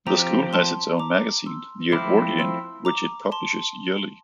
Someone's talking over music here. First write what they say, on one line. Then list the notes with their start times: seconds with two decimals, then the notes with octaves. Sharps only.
The school has its own magazine, "The Edwardian", which it publishes yearly.
0.07 F3 C4 G4 A#5 D6
0.53 A5 C6
0.99 A#5 D6
1.46 C6 E6
1.92 F3 A3 C4 E4 D6 F6
2.39 C6 E6
2.85 A#5 D6
3.32 A5 C6